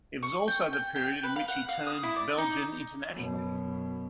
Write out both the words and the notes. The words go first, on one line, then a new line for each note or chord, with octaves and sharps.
It was also the period in which he turned Belgian international.
C#6
G5
G5
G5
B4
F5
F#5
F5
D#6
E4
D5
D#4
F#2 B2